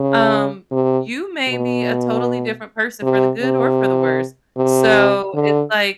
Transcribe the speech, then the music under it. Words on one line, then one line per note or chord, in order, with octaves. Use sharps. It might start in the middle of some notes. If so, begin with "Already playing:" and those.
um, you may be a totally different person for the good or for the worst. So, it's like,
Already playing: C#3
C3
B2
C3
C3
C3
D3